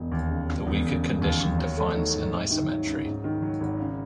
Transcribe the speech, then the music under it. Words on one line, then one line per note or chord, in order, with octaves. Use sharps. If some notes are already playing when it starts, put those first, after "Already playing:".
The weaker condition defines an "isometry".
Already playing: E1
D#2
C#3
E1
E1
C#3
G#3
D#2
D#2
F#3
A3
D#4
G#2
C3
D#3
F#3
C#2
G#2
D#3
F#3
G#1
C#3